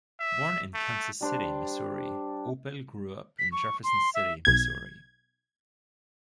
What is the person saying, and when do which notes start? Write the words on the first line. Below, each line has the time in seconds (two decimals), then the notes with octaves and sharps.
Born in Kansas City, Missouri, Opel grew up in Jefferson City, Missouri.
0.19 E5
0.74 A3
1.21 G3 D4 C5
3.39 B6
3.52 C#6
3.84 C6
4.14 E5
4.45 B1 G#6